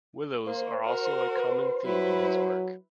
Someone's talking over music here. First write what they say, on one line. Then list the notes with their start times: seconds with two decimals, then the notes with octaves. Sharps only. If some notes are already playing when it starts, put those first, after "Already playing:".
Willows are also a common theme in his work.
0.47 A#3 C5
0.84 F#4 A#4
1.37 B4
1.85 F#3 E4 B4